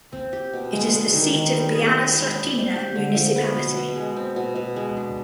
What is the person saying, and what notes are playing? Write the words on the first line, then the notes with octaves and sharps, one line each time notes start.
It is the seat of Byala Slatina Municipality.
C4
G4
B2
G#3
D4
D#3
D#3
G3
G#4
B4
G#3
D4
C4
G4
D3
F3
B3
B2
B2
G#3
C4
B2
B2
G#3
D4